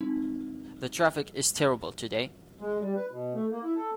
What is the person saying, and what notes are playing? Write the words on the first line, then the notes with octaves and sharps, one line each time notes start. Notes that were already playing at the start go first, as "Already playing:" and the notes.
The traffic is terrible today.
G#3 C4 D#4
G#3
G3
B4
B2
A3
A#3
E4
A4